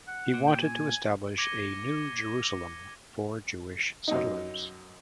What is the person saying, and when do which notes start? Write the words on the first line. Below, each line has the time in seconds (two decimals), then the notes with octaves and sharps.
He wanted to establish a "New Jerusalem" for Jewish settlers.
0.07 F#5
0.34 A#2
0.47 G5
0.62 G#5
1.38 D6 G#6 A#6 C#7 D#7 G7
4.08 F#2 D#4